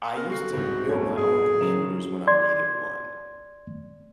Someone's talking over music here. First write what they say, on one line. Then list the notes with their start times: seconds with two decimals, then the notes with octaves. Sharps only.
I used to build my own computers when I needed one.
0.16 B3 A#4
0.29 D3 F#4 C7
0.53 C2 G#2
0.89 D1 G1 D2 C#5
1.17 G#2 G#4
1.61 C#3 F#3 A#4 E7
2.27 D5 C6 G#6